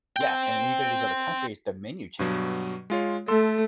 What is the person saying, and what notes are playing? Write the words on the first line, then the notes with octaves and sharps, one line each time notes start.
Yeah, and then you go to these other countries, the menu changes.
C5 G5
G2 B2 F#3
G#3 F4 C#5
A3 A4 C6 E6